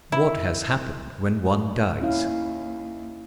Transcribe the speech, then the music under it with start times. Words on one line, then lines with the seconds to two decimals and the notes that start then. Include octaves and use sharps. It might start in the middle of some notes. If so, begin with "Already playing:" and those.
What has happened when one dies?
0.12 E4
2.02 D#2 C#4 E4 F5